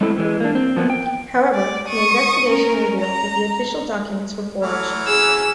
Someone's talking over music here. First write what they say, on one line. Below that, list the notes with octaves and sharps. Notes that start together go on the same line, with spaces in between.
However, an investigation revealed that the official documents were forged.
G#3 A3 C4 E4 A4
E3 G3 G#3
A#3 D4
C4
F3 A#3 B3
G5
D5
C#6 D#6
C#4 A#4
A#5
E3 F#3 A3 F6
G#4 E6